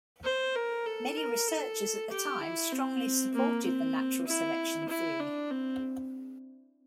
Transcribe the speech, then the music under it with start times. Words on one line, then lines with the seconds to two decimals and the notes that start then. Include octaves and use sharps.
Many researchers at the time strongly supported the natural selection theory.
0.24 C5
0.55 A#4
0.86 A4
1.17 A#4
1.48 A4
2.10 G4
2.41 E4
2.72 C4
3.34 A#3
3.65 C4
4.27 E4
4.89 E4
5.20 D4
5.51 C4